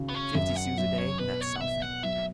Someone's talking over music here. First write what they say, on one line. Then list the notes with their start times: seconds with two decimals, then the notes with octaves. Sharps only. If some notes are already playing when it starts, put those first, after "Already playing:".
Fifty sous a day, that's something.
Already playing: C#3 F#4
0.09 B3
0.14 C#4
0.35 F#2 E5
0.56 F#5
0.78 F#3 E5
0.98 C#5
1.19 B2 B4
1.41 C#5
1.56 F#5
1.61 B2 E5
1.82 F#5
2.03 F#3 E5